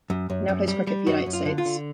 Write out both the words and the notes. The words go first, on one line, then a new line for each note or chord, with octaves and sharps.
He now plays cricket for United States.
F#2
F#2
F#2
G3
G3
F#2 F#4
F#2
F4
D3
F4
D3